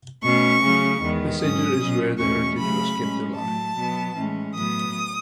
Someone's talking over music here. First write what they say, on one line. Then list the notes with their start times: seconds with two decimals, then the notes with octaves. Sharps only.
The Centre is where the heritage was kept alive.
0.22 B2 A3 C#4 C#6
0.62 C#3 F#3 A3 C#4
1.00 E2 D#3 G#3 B3
1.40 G#2 F#3 C#4 D#6
1.80 B2 F#3 C#4
2.18 E2 B2 A3 C#4 C#6
2.58 C#3 F#3 A3 C#4 B5
2.98 A2 G#3 C#4
3.36 A2 F#3 A3 A5
3.76 B2 F#3 B3
4.14 A2 E3 G#3 C#4
4.54 A2 F#3 B3 D#6